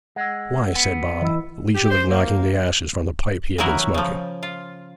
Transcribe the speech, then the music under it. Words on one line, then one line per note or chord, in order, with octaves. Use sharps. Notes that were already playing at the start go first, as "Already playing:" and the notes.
'Why?' said Bob, leisurely knocking the ashes from the pipe he had been smoking.
G#3 F#5 E6
B3
E3 D#5 B5 E6
G4
C5
A#3
C#3 E3 F#3 E4 F#4 A#4
C#3 F3
F4